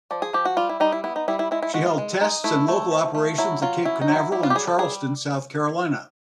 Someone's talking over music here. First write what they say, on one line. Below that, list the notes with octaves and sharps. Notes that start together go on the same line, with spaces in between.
She held tests and local operations at Cape Canaveral and Charleston, South Carolina.
F3 D5
G#4
F3 G4
F#4
G3 F4
E4
G3 D#4
E4
B3 E4
D#4
G3 E4
E4
G#3 E4
E4
G#3 F#4
F4
G#3
D#4
A3 E4
A3
F3
A3
F#3 E4
F#3 F4
C#4 E4
D#4
F#3
E4
G3 E4
F4
G4
G3 G#4
A4
G3 G#4